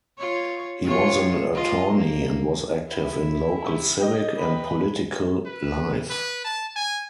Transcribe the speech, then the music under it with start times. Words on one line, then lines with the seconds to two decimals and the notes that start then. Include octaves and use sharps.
He was an attorney and was active in local civic and political life.
0.18 F4 C#5
0.84 C3 F4 C#5
1.54 F4 D#5
1.92 A#3
2.90 E4 E5
3.64 C3
4.00 G4 D#5
4.37 B4 B5
5.46 B4
6.10 B4
6.44 A5
6.76 G#5